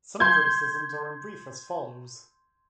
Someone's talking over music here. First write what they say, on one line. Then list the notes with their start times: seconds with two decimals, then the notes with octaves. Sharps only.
Some criticisms are in brief as follows.
0.20 C6 G6 G#6